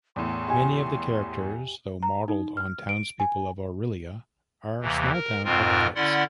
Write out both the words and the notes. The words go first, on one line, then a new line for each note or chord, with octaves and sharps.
Many of the characters, though modelled on townspeople of Orillia, are small town archetypes.
E2 A2 C6
G4 G#5 C#6
A#5
D#4
F6
D7
G#5
D#2 C3 E3
A#4
F2 G#2 B2 C4 F4 A#4
D3 C#4 E4 D5 F#5 C6